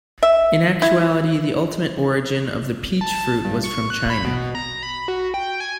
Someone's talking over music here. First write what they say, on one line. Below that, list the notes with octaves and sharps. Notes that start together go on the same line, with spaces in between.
In actuality, the ultimate origin of the peach fruit was from China.
E5
E4
A5
G2
C#6
F#6
B5
B2
A#5
B5
F#4
G5
G#5